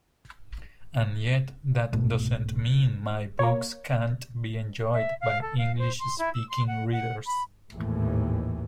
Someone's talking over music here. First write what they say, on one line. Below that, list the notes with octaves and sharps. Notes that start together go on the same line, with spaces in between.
And yet, that doesn't mean my books can't be enjoyed by English-speaking readers.
C2 G#2 B2 A3
A#3 C#5
E5
F5
A4
F5
C5
C6
E4
E6
C6
F#5
F#5
B5
G#1 D#2 A2 E3